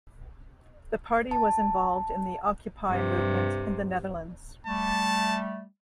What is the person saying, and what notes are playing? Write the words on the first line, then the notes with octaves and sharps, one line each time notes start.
The party was involved in the Occupy movement in the Netherlands.
A5
G2 C3
G3 A3 A5